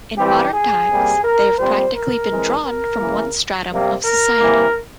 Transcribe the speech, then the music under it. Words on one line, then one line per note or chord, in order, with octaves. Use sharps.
In modern times they have practically been drawn from one stratum of society.
E3 G3 C4 G4
G#4
C3 G3 A#3
A#4
A#2 G3 C4 C5
A#4
E3 G#3 C4
A#4
C#3 E3 A#3
C3 G3 A#3
A#4
C3 E3 A#3